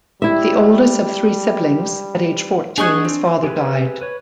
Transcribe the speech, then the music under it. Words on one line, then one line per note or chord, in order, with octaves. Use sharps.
The oldest of three siblings, at age fourteen his father died.
G3 E4 E5
D4 G#4 D#5 F#5 C#6
C4
G4 G#4 B4
B4 C#5